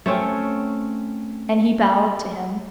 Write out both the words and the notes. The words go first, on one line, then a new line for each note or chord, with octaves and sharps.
And he bowed to him.
A3 C4 C#4